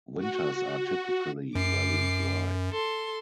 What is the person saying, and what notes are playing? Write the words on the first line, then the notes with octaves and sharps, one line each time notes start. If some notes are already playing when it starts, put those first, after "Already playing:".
Winters are typically very dry.
F#4
F#2 D6 C7
A4 C6